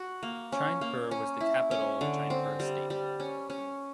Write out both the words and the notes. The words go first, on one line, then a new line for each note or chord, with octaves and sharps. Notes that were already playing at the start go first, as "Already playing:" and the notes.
Chainpur was the capital of Chainpur Estate.
Already playing: F#4
A#3
C#4
A#3
C#4
E4
C#4
D3
C4
G3
G3
C#4
C#4